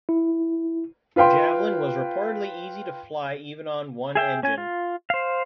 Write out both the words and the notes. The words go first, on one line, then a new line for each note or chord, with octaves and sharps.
The Javelin was reportedly easy to fly even on one engine.
E4
F4 B4 F5 G5 C6
G#4 E5 G5
C#4 G#5
F4
C5 F5